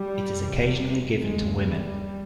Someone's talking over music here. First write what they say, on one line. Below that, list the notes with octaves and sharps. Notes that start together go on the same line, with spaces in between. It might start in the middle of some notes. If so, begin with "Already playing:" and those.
It is occasionally given to women.
Already playing: G3
E2 C3
D#2 C#3 G#3
G3